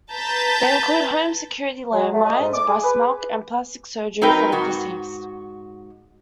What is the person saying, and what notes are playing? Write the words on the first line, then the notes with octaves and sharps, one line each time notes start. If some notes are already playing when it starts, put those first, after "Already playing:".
They include home security land mines, breast milk, and plastic surgery for the deceased.
B4 A5 A#5 G6 A6 B6
F#3
A3
D#5
G#2
D6
G#4
B4
F#3 C4 D#4 A#4 B4 G5
G#2 F#4